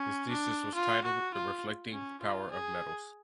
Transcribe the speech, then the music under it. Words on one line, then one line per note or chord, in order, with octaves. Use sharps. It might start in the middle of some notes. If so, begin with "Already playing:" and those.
His thesis was titled "The Reflecting Power of Metals".
Already playing: C#4
D4
F4
F#4
F4
C#4
F4
G#4